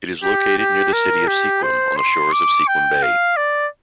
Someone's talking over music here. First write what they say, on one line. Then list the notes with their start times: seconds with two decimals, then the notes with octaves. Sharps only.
It is located near the city of Sequim on the shores of Sequim Bay.
0.23 G4
0.58 G4
0.93 A#4
1.28 G4
1.63 C5
1.97 C6
2.33 D6
2.68 G5
3.03 F5
3.37 D5